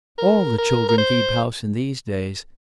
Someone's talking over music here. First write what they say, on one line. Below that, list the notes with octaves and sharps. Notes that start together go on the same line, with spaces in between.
All the children keep house in these days.
A#4
A#4
A#4
C5